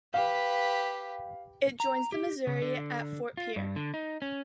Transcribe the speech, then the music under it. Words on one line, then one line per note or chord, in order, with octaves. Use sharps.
It joins the Missouri at Fort Pierre.
G4 B4 F5
A#5
G4
C#3
D3
F4
G2
D3
D#4
C#4